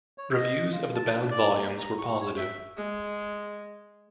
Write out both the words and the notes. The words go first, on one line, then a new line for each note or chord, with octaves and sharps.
Reviews of the bound volumes were positive.
C#5
D#5
F4
A5
D4
D5
A#3
A#5
C#6
C#5
E5
G#3